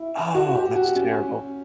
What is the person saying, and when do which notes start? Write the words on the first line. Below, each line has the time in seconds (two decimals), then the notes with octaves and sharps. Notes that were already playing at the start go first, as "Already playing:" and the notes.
Oh, that's terrible.
Already playing: E4
0.35 F#4
0.55 G4
0.75 F#4
0.95 C#4